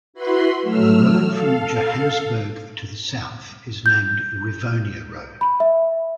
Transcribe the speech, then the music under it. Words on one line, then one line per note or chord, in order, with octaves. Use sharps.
The road from Johannesburg to the south is named Rivonia Road.
E4 F#4 B4 B5 C6
F#3 A3 E6 F6
A4 F5
G6
B5
E5